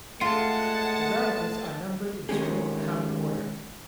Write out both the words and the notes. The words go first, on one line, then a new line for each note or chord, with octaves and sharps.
The radicals are numbered in stroke count order.
G#3 A3 F4 F#5 A5
D#3 G#3 C#4 G4 G#4